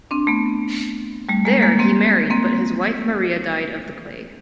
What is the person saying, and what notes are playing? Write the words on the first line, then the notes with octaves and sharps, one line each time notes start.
There, he married, but his wife Maria died of the plague.
C4 D4
A3 B3
G3 A3
G#3 A#3
G#3 A#3
A#3 C4
A#3 C4